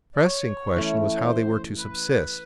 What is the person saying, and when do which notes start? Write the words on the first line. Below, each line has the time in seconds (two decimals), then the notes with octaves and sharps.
The pressing question was how they were to subsist.
0.15 D5
0.25 C#5
0.77 E3 A3 C#4
1.17 C#5
1.27 C5
1.78 B4